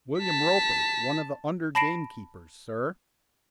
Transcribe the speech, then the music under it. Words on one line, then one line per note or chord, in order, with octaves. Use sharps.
"William Roper, one of the under-gamekeepers, sir."
A5 B6
A5 B5 A#6 C7 D7 E7